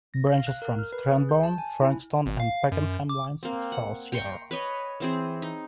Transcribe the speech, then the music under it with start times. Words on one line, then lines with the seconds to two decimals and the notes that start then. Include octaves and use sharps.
Branches from the Cranbourne, Frankston and Pakenham lines at "South Yarra".
0.14 A#6
0.35 F5
0.47 F#6
0.62 A#4
0.79 F6
0.93 B4
1.08 G#4
1.29 G6
1.43 A5
1.58 G#5
1.82 E4
2.26 G#1
2.40 F5
2.72 F#2
3.09 D6
3.43 A#3 C4
3.72 F#5
4.12 G5 A#5 C6 C#6
4.51 B4 C#5 D#5
5.00 E3 C4 G#4
5.42 D#4